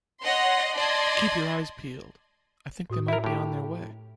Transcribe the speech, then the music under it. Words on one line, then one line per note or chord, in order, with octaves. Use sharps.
Keep your eyes peeled! I think they might be on their way.
C#5 D#5 F#5 C6
D5 D#5 A5 C6 G#6
A2 F#4 D#6
E4 A#4 E5
A2 G4